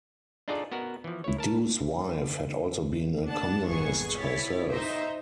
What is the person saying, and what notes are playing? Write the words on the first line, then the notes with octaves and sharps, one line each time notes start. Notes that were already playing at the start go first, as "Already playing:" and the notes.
Du's wife had also been a Communist herself.
D4 D#4 F4 G#4 A4 D5
B3 F#4 A#4
E3 F3
E4 C#5
A#4 A5
D4 F#5 A5
G1 D#2 A#2 B3 G#4 C#6
E4 C#5 A6 B6
D#4 C5 D#5 E5